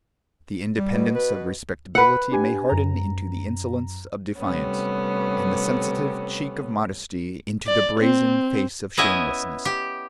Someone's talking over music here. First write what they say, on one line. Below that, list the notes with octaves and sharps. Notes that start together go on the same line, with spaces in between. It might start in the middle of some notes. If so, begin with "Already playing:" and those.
The independence of respectability may harden into the insolence of defiance, and the sensitive cheek of modesty into the brazen face of shamelessness.
G3
B2
B4
B4 F#5
D4 G4 G#5
F#2 A#5
C3 G3 A3 B3 C#4
D5
C4
B3 C#4 E4 D#5 E5 G#5
G4